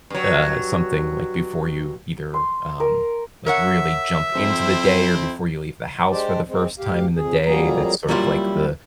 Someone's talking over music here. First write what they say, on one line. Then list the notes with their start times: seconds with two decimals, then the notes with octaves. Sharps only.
uh, something, like, before you either, um, like, really jump into the day or before you leave the house for the first time in the day that's sort of like the
0.10 G2 F#3
2.34 C6
2.80 A#4
3.46 A#4 C#5 E5 F#5
4.35 F2 C4 E4 C5
6.10 G#3 D4 G4 C5 D5
6.47 G#3 C4
6.79 D2 G4 F5
7.16 F2 G#4
7.46 F2 F#3 G3 A#3 G#4 A#5
8.09 F#3 G3 A#3 E4 F4